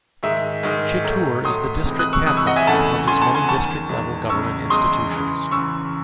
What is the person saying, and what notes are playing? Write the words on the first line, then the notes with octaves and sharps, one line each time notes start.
Chittoor is the district capital and houses many district level government institutions.
G#2 D#3 G#3 E5
G#2 D#3 G#3
A2 F#3 A3
A2 F#3 A3 C6 D#6
C3 E3 G#3
D#6 F#6
C#6 E6
C3 E3 G#3 D#6 F#6
C#6 E6
D#5 F#5
E5 G#5
E2 C#3 E3 A3 F#5 A5
E2 C#3 E3 A3 G#5 C6
F#5 A5
G#5 C6
E2 D#3 G#3 A5 C#6
E2 D#3 G#3
E2 C#3 G#3 C#6 E6
E2 C#3 G#3 C6 D#6
F#2 C#3 E3
F#2 C#3 E3 C#6 E6